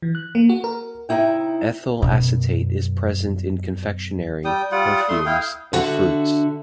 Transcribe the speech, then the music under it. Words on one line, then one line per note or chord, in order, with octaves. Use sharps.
Ethyl acetate is present in confectionery, perfumes, and fruits.
E3
F#6
A#3
F#4
A#4
C3 G#3 D#4 E4 G5
F#2 B2
G3 G5 D#6
G3 F4 F#5 D#6
A3 C6
E4 F5 G5
D3 F#4 E5